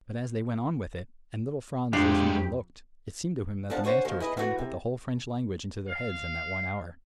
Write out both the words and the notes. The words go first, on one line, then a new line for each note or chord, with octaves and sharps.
But as they went on with it, and little Franz listened and looked, it seemed to him that the master was trying to put the whole French language into their heads in that one hour.
F2 F3 G#3 D4 G4
E2 F3 D4 F#5 A5
C5 C#5 F#5 G#5
B2 D#3 F3
E4 G#4 B4 D#5
E3 A3 F#4
C3
F5